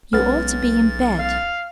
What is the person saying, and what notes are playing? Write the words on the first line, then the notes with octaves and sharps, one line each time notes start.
"You ought to be in bed."
B1 G#3 B3 C#4 F6 A6
F5